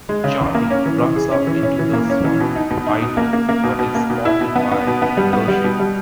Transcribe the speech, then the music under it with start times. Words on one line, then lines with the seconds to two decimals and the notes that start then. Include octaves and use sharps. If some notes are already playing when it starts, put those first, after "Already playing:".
Charlie runs off into the swamp to hide but is spotted by Laroche.
0.09 G#3
0.24 C#3
0.40 E2
0.55 A#3
0.70 C#4
0.86 E3
1.01 E3
1.16 G#4
1.32 C#4
1.47 E3
1.63 C#4
1.79 E3
1.93 A#3
2.10 C#4
2.24 E3
2.40 B2
2.56 D#4
2.70 B2
2.87 D#4
3.02 B2
3.17 A#3
3.33 A#3
3.49 A#3
3.63 B2
3.79 B2
3.95 A#3
4.10 B2
4.25 E4
4.41 B2
4.56 B3
4.71 B3
4.87 B2
5.02 B3
5.17 G3
5.33 B3
5.48 G3
5.64 B2
5.80 G3